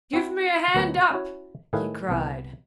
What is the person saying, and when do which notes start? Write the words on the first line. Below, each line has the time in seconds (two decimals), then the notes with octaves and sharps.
"Give me a hand up!" he cried.
0.13 C4 E4 F#4
0.75 D2 F#3 B3 A#4 G#5
1.11 C#4 E4 F#4 C#5
1.73 A2 D#3 A3 G#4 B4 F5
2.10 C2 B3 E4